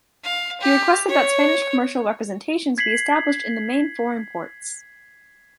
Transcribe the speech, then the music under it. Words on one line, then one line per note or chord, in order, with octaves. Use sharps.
He requested that Spanish commercial representations be established in the main foreign ports.
F5
G4
C#5
G#6 B6 C7 F#7